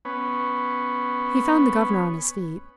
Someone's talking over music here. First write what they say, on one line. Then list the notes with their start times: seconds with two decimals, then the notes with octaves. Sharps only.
He found the governor on his feet.
0.05 B3 C#4